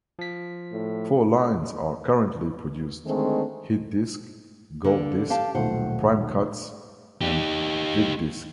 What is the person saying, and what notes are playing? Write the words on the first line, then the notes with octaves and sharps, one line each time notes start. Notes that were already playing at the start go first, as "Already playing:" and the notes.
Four lines are currently produced: HitDisc, GoldDisc, PrimeCuts, and VidDisc.
F3 B6
A2
D3 D#3 G#3 A3 C4
D3 A#3
G4 F5 A5
D#1 B1 A3 C5 F#5
D#4 G4